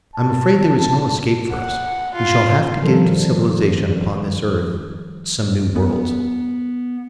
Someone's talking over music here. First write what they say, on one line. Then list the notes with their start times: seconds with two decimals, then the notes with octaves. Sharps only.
I'm afraid there is no escape for us: we shall have to give to civilization upon this earth--some new worlds.
0.15 A5
1.52 F#5
2.15 F4
2.82 D#3 F3 G3 A4 A#4
5.76 B3